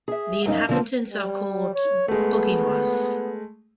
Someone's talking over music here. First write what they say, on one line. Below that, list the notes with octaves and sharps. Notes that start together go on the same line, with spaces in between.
The inhabitants are called "Boginois".
G#4 E5
F#2 D#4 F5
D3 F3 B3 C4
G3
C#5
G#3 A3 B3